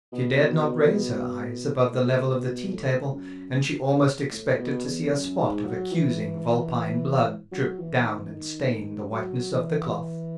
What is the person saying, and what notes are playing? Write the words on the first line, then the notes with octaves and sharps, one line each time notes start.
She dared not raise her eyes above the level of the tea-table, and she almost expected to see a spot of accusing vulpine blood drip down and stain the whiteness of the cloth.
B2
B2
A2
B2
A2
F#2
A2
B2
E2
F#2
G#2
F#3
E3
F#3
E3
D#3
E3
D#3
F#3
E3